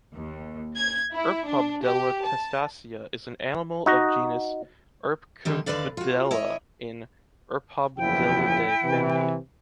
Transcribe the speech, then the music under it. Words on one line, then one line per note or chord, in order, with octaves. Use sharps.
Erpobdella testacea is an animal of genus Erpqbdella in Erpobdellidae family.
D#2
G#6
E4
D4
G4
A5
D#4 F#4 D#5
D3 D#3 G3
D#2 D3 D#3 B4 D5 F5
F4 F#4
E4 C#5 D#5
F#1 E2 F3 E4 G5
C3 E3